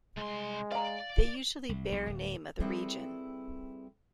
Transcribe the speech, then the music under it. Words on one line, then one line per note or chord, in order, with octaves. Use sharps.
They usually bear name of the region.
C2 G#3 C6
D5 F5 A#5
C2
B1
D1
G3 C4 E4 G#4 A4 B4